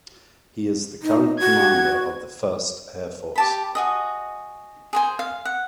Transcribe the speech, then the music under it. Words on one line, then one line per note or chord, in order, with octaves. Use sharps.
He is the current commander of the First Air Force.
D#4
F#4 G#6
G4 A5 B5
F#4 G#4 D#5
G#4 C5 G#5
F5
F#5